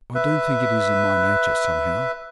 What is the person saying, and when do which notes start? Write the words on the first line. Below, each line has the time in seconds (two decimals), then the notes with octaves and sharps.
I don't think it is in my nature somehow.'
0.15 B4 E5